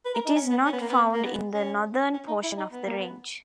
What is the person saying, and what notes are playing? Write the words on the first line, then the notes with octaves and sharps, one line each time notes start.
It is not found in the northern portion of the Range.
B4
A#4
D#4
C#4
B3
C#4
B3
A#3
B3
A#3
B3
C#4
C#4
D#4
E4
D#4
B3
A#3
B3